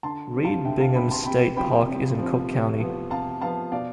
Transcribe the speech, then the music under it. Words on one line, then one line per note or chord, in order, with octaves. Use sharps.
Reed Bingham State Park is in Cook County.
D3 A5 C6
G3 C4
F5 A5
D3 E5 G5
F5 A5
G3 C4 G5 B5
A5 C6
C3 G5 B5
F3 C4 G5 B5
C3
F3 C4
C3
F3 B3
C3 F5 A5
F3 B3 F5 A5
B2 D5 F5